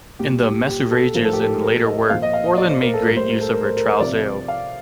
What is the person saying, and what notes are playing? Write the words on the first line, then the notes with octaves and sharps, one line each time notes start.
In the "MesuRages," and in later work, Orlan made great use of her "Trousseau".
A#2 G3 G4
G4
G4
A4
A2 F3 A#4
A4
G4
A4
A#4
D#5
A#2 F3 F5
D#5
F5
D#5
D5
C5
A#4
A4
A2 G3 A#4
C5
A#4
A4
A#4
C5
A#4
C5
C3 F3 D5
F5